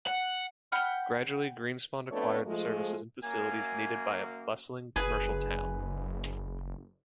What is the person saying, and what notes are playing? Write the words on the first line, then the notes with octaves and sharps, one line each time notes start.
Gradually Greenspond acquired the services and facilities needed by a bustling commercial town.
F#5
F#5 G5 B5 F6
F2 A3 B3 D4 B4 C#5
F3 G#3 A3
F#2 A#3 G#5
F#1 G#4 B4 G#5